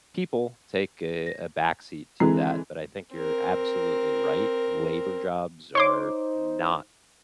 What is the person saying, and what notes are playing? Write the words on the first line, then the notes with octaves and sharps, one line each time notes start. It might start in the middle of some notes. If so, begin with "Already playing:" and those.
people take a a backseat to that, but I think you're absolutely right, labor jobs are not
A#6
D3 E3 G#3 C4
C4 A#4
D#4 C5 C#5 C6 D6